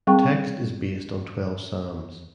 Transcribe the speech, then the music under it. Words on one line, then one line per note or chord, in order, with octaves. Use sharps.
Text is based on twelve psalms.
G3 C4 G#4 G5 C#6